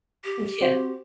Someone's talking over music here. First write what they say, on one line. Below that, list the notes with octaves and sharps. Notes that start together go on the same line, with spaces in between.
N yeah.
G4
C4 F#4 C5